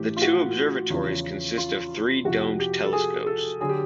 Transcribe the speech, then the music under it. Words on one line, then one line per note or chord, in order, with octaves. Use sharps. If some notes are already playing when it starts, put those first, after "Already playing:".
The two observatories consist of three domed telescopes.
Already playing: A2 E3 G4
F4
F#4
E2 C#3 F3
F4
F2 C3 F3 F#4
G4
A4
G#4
A4
D3 F#3 G#4
G4